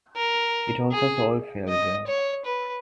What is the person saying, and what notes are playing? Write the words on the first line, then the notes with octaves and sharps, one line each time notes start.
It also sold fairly well.
A#4
G#4
D#5
C#5
B4